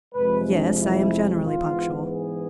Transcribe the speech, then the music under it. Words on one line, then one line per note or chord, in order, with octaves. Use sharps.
"Yes, I am generally punctual."
F2 C3 G#3 B4
D4
E4
G#2 E3 B3 F4
G#4